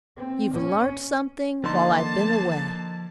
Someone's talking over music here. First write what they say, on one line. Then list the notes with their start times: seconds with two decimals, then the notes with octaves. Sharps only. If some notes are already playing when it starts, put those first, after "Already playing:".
'You've learnt something while I've been away.
0.17 C4
0.55 C#4
1.64 D3 F3 A#3 D#4 A5 C6